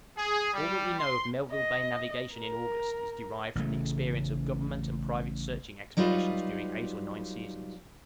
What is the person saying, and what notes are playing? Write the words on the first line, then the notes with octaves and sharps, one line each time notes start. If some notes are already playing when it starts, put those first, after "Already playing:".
All that we know of Melville Bay navigation in August, is derived from the experience of Government and private searching expeditions during eight or nine seasons.
G#4
G3
C6
D#5
A#4
A1 C#3 A3
F#3 G3 D#4 F4 B4